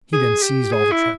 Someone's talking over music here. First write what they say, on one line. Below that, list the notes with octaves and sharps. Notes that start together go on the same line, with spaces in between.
He then seized all the trout.
G#4
G4
G#4
E4